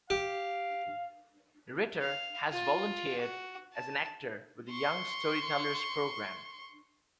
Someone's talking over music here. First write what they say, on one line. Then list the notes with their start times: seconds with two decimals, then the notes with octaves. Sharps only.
Ritter has volunteered as an actor with the Young Storytellers Program.
0.10 G4 F5
2.01 F5
2.52 F4
3.20 F#4
3.74 A5
4.70 C6 C#6